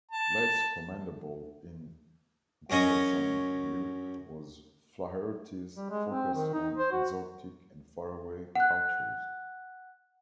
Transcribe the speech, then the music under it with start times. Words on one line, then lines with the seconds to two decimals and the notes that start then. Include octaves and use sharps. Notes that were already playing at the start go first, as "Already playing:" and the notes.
Less commendable in Grierson's view was Flaherty's focus on exotic and faraway cultures.
0.11 A5
2.70 F#2 C#4 D#5 C#6 D#6
5.75 G3
5.90 G#3
6.09 C4
6.34 D#3
6.53 D#4
6.77 C5
6.92 F#4
8.55 F#5 F#6